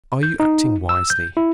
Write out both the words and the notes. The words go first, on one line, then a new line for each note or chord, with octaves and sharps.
'Are you acting wisely?
G6
D#4
E6
G6
E4